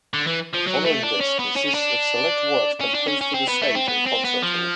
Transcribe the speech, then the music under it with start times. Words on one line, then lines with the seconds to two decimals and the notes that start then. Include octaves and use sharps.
The following list consists of select works composed for the stage and concert hall.
0.14 D3
0.27 E3
0.53 F3
0.67 F#3
0.85 A3
1.03 D4
1.20 C#4
1.39 B3
1.56 C#4
1.74 D4
2.81 C#4
2.94 D4
3.08 C#4
3.21 C#4
3.34 C4
3.48 B3
3.62 A3
3.75 C4
3.88 B3
4.06 C4
4.24 B3
4.42 F3